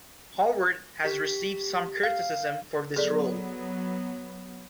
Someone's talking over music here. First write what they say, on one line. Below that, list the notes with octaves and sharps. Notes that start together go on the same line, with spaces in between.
Howard has received some criticism for this role.
G4 B6
F5
F#3 B3 G#4 A4 D5